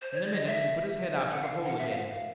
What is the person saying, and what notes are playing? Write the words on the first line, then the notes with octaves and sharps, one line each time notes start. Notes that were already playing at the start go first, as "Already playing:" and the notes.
In a minute he put his head out of the hole again.
C5
C#5
D5
D#5
E5
F#5
F5
F#5
E5
F5